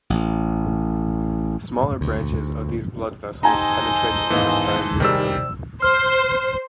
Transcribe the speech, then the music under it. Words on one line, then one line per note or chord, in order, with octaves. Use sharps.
Smaller branches of these blood vessels penetrate into the perineurium.
A1
D2
D#4 G4 A4 C5 D#5 G#5 A#5
D#2 G#2 E3 B3 D#4
C3 D#3 G3 D5 E6
C5 F6